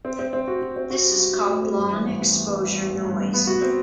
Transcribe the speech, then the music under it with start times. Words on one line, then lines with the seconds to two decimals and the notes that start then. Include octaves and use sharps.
This is called long exposure noise.
0.05 C4
0.19 C4
0.33 C4
0.48 F#4
0.62 F#4
0.76 C4
0.90 F#4
1.05 G3
1.19 F#4
1.33 F#4
1.47 A2
1.62 C4
1.76 G2
1.90 E3
2.05 A1
2.18 B3
2.33 E3
2.48 B3
2.62 G2
2.76 G2
2.90 A1
3.04 G2
3.19 B3
3.34 B3
3.47 F#4
3.61 C4